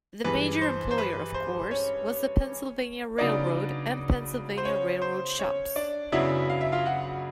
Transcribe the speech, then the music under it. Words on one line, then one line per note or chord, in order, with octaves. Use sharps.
The major employer, of course, was the Pennsylvania Railroad and Pennsylvania Railroad Shops.
G2 E3 G#3 B4
C5
C5
B4
C5
C#4 C#5
C#3 F#3 B3 D4 D#4 D5
C5
C#4 C#5
C5
C#4 C#5
D4 D5
F#2 C#3 F#3 B3 D4 E4 E5
F5
E5
F4 F5
F#4 F#5